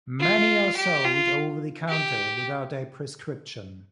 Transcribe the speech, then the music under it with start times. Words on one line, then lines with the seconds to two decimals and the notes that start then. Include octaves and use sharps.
Many are sold over-the-counter without a prescription.
0.21 F4
0.77 G4
1.05 F4
1.89 G4